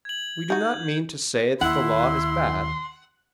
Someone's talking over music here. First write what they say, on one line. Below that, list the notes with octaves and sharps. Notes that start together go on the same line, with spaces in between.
We do not mean to say that the Law is bad.
G#6 F#7
D#4 F#4 G6
D#2 E4 F#5 C6